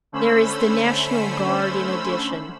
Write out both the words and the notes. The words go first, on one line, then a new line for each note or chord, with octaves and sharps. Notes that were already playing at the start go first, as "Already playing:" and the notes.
There is the National Guard in addition.
D3 A3 C#4 C5 B5 E6